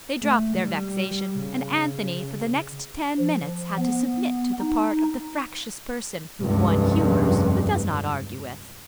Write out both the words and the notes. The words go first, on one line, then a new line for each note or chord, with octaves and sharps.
They dropped their vexation, and Anthony for the next ten minutes had to submit to the part of the fractious person whom one humours but does not argue with.
A3
G3
C#3
F3
B3
D#4
F1 C#2 G2